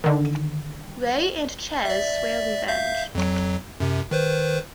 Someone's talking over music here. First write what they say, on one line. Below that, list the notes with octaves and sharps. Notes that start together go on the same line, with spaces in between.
Ray and Chez swear revenge.
D3 D#3
D5 E5
E5 F5 G6
F2 F#3
F#2 C3
D#3 B4 C5